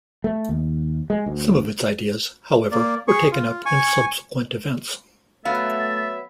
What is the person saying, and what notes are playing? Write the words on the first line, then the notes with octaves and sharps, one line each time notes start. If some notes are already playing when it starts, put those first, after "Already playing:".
Some of its ideas, however, were taken up in subsequent events.
A3
D#2
G#3
D2
A#3 D5
G#4 C#6
F4
G#5 C#6
F#3 A3 B3 E5 F5 A6